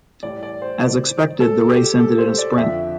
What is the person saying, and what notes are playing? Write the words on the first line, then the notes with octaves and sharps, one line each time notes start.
As expected the race ended in a sprint.
A2 E3 G3 D5
D5
C5
A4
G4
A4
C5
D5
F2 D3 F3 E5